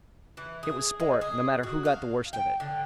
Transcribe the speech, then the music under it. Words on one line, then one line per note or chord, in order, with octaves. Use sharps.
It was sport, no matter who got the worst of it.
E3
G#4
G#3
G#4
F#4
F5
G5
D3